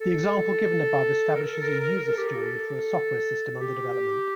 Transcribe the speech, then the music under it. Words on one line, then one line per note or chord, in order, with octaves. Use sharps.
The example given above establishes a user story for a software system under development.
A4
A#4
A4
A#4
A#4
A#4
A4
G4
A4
G4